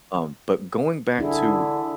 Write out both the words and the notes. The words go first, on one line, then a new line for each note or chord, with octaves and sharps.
Um, but going back to
D3 D4 E4 G#4